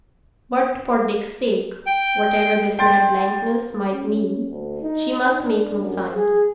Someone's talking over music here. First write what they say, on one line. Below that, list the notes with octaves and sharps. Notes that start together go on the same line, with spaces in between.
But for Dick's sake--whatever this mad blankness might mean--she must make no sign.
G5
G5 C6 A6
C#4
D2
D#4
D4
F#2
G#4